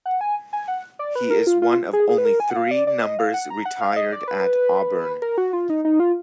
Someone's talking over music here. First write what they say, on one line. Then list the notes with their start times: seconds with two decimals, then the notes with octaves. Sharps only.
His is one of only three numbers retired at Auburn.
0.06 F#5
0.21 G#5
0.53 G#5
0.68 F#5
0.99 D5
1.15 B4
1.30 A#4
1.47 F4
1.62 F4
1.93 G#4
2.09 G#4
2.18 B4
2.25 A#4
2.40 G#5
2.50 F#5
2.56 F5
2.71 D5
2.87 D5
3.02 D#5
3.19 F5
3.34 F#5
3.50 A#5
3.65 F#5
3.81 F5
3.96 D#5
4.12 D5
4.28 B4
5.22 A#4
5.38 F#4
5.53 F4
5.70 D#4
5.85 D#4
6.00 F4